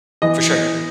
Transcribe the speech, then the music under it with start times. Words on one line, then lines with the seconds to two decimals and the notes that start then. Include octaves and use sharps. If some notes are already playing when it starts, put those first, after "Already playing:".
For sure.
0.22 E3 D#5
0.51 E3